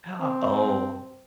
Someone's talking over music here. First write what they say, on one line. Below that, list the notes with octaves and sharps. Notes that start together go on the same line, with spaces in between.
Ha Oh.
C4